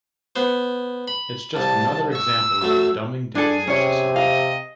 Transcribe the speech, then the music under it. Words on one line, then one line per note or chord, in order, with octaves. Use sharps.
It's just another example of the dumbing down of society.
B3 C5
B5
C2 A5
C#6 E6
F#2 A3
D4 G#4 A4 G#5
C3 C#4 C#5
D#5 F5